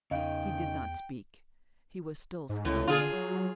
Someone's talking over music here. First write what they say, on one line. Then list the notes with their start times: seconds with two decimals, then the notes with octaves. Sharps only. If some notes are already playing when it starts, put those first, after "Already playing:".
He did not speak: he was still scowling.
0.11 E2 C#3 D#4 D#5 F5 G5
2.49 G#2
2.65 C#2 A2
2.88 D3 F4 G#4
3.12 F#3